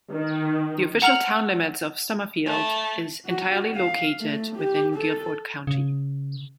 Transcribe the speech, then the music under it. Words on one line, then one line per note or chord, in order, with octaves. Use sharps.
The official town limits of Summerfield is entirely located within Guilford County.
D#3
F#5 A#5 F6 F7 F#7
A3
F#4
F5
A3
G4
A4
C#3